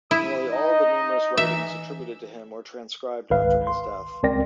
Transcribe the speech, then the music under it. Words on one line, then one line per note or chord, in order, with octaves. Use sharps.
Nearly all of the numerous writings attributed to him were transcribed after his death.
E4 D#6
D#4 D#5
E3 E5
G#1 C#2 B4 F5
C6
C#2 C4 A#4 D5 G5 A#6